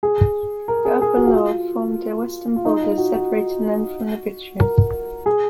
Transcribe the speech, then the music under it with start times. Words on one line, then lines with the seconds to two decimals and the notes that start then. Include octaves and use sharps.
The upper Loire formed their western border, separating them from the Bituriges.
0.03 G#4
0.68 A#4
0.85 G#4
1.02 G#4
1.17 F#4
1.27 F#4
1.33 F4
2.56 F4
2.65 D#4
2.81 F4
2.98 F#4
3.14 F#4
4.61 A#4
5.26 G#4